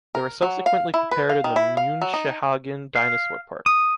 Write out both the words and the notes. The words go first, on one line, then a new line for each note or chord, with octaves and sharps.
They were subsequently prepared in the Münchehagen Dinosaur Park.
A#4
F#3
F5
E4
B4
F5
D#3
E4
F5
F#3
D#4
F5
D#6